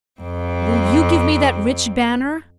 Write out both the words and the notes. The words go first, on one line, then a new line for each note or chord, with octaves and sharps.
Will you give me that rich banner?
F2 C4